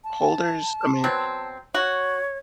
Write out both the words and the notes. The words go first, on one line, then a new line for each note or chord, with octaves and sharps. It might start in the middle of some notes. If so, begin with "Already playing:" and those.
holders? I mean
A5
B2 F#3 C4
F#4 C#5